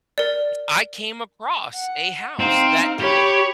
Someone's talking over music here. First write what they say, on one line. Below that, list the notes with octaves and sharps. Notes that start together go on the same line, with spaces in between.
I came across a house that did,
A#4 D5
F#5
C4 D#4 F5
G4 C#5 B5